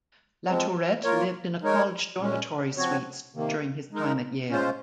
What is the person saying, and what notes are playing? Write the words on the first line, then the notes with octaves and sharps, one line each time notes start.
Latourette lived in a college dormitory suite during his time at Yale.
F3 G#3 C4
A#3 F4 A#4 C#5
G#3 D#4 A#4 C#5
A#2 G#3 C#4
F3 C4 F#4 C#5
C3 D#3 A#3
G#3 D#4 A#4
G#3 C#4 F4 C5